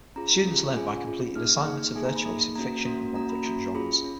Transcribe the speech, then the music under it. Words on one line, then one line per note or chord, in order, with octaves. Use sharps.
Students learn by completing assignments of their choice in fiction and non-fiction genres.
C#4 F4 G#4 A#5
C#4 F4 G#4
C#4 F4 G#4 G#5
C#4 F4 G#4
A#3 D#4 G#4 F6
A#3 D#4 G#4
A#3 D#4 G#4 G#5
A#5
B5
A#3 D#4 G#4
A#3 C#4 F#4 A#5
A#3 C#4 F#4
A#3 C#4 F#4 A#5
B5
A#3 C#4 F#4 A#5
C#4 F4 G#4 B5
C#4